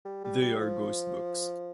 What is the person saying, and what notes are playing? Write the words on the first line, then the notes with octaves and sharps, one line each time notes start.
They are ghost books.
G3
G3
G3
F3